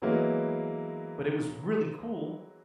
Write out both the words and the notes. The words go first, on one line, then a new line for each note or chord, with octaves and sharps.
But it was really cool,
E3 F#3 G#3 A#3 B3 E4